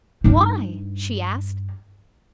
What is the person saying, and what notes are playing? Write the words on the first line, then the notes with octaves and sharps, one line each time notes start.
"Why?" she asked.
G2 D#4